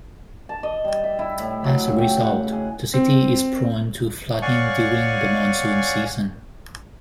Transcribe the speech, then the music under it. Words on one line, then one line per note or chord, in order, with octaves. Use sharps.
As a result, the city is prone to flooding during the monsoon season.
A5
D#5
G3
E5
E4
A2
F#3
C#3
G5
F#5
G#4
C4
C#5 D5 F5 F#5 G#5 C#6